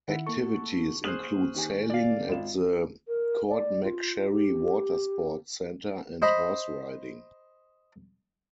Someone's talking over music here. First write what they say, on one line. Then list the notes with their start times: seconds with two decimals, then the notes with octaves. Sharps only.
Activities include sailing at the Courtmacsherry Water Sports Center and horse-riding.
0.08 D#3 E4 F#5
0.26 A#3 A4 C#6
1.04 G#4 C5 F6 F#6 F#7
1.54 D#3 G4 G#5
1.90 D5 F5
2.29 G#1 F4 E7
3.08 A#4
3.48 D5
3.84 F4
4.29 G4
6.22 C5 D#5 B5